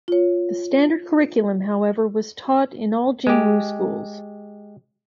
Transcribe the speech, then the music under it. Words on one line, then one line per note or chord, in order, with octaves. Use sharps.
The standard curriculum, however, was taught in all Jing Wu schools.
F4 C#5
G#3 G4